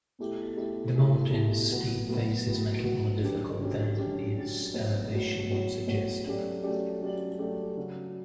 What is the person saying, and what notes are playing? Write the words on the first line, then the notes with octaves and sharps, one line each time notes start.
The mountain's steep faces make it more difficult than its elevation would suggest.
B2 A3 E4 G4
B2 A3 E4 G4
B2 A3 E4 G4
B2 A3 E4 G4
A2 F#3 B3 F#4 B4
A2 F#3 B3 F#4 B4
A2 F#3 B3 F#4 B4
A2 F#3 B3 F#4 B4
D3 F#3 C#4 G4
D3 F#3 C#4 G4
D3 F#3 C#4 G4
D3 F#3 C#4 G4
A2 F#3 B3 F#4 C#5
A2 F#3 B3 F#4 C#5
A2 F#3 B3 F#4 C#5
A2 F#3 B3 F#4 C#5
F#3 A3 C#4 G4 D5
F#3 A3 C#4 G4 D5
F#3 A3 C#4 G4 D5
F#3 A3 C#4 G4 D5
C#3 F#3 C#4 F#4